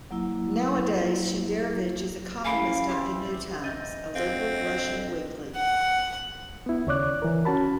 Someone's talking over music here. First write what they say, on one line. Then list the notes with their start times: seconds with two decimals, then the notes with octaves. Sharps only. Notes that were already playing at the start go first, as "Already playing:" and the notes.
Nowadays Shenderovich is a columnist of "The New Times", a liberal Russian weekly.
0.11 F#3 A#3 E4
2.45 C#3 E3 F5 G#5 B5 D7
2.88 C4 G4 D5 G5
3.64 D#5 G6 A6 D#7
4.15 D3 C4 F5
5.56 F#5
6.66 B3 E4
6.87 D#2 C#3 C#5 D5 D6 F#6
7.22 E3 A#4
7.45 C#4 F#4 A5 B5